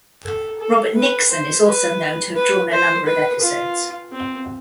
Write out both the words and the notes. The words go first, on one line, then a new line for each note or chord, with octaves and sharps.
Robert Nixon is also known to have drawn a number of episodes.
A4
A4
B4
C5
B4
B4
C5
B4
F4
C4